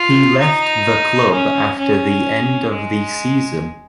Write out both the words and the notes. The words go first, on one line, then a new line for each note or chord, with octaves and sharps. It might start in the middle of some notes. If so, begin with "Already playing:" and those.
He left the club after the end of the season.
Already playing: F4
D#4
C#4
C#4
G#3